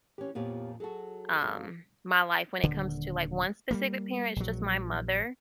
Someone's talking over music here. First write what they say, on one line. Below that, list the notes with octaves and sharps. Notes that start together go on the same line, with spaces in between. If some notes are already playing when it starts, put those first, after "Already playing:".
um, my life when it comes to like one specific parent. It's just my mother.
E3 C#4 G4
F2 A#2 F3 B3 G4 C#5
F#3 F#4 G#4 A4 A5
F#2 F#4 F5
D#1 D3
G3 G#3 A#3
A#1 F#3